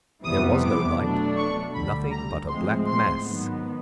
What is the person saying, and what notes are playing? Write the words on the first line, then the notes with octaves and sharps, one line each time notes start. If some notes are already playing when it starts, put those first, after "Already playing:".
There was no light; nothing but a black mass.
F2 C3 E3 G3 B3 D#6
D6
B2 F#3 A3 D4
C#6
D2 D3 G3 B5
A#5
A2 F3 G#3 C4 C6
C6
G#2 D#3 F#3 B3